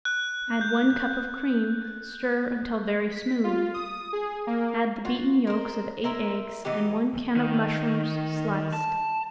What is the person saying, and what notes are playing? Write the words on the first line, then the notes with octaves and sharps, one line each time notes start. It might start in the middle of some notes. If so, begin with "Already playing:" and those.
Add one cup of cream, stir until very smooth, add the beaten yolks of eight eggs and one can of mushrooms sliced.
F#6
G6
B6
F4
D#6
G#4
A#3
F4 F#4
A#4 C5
E4 A#4 C5 E5
E3 B3 D#4 G4
D#3
A5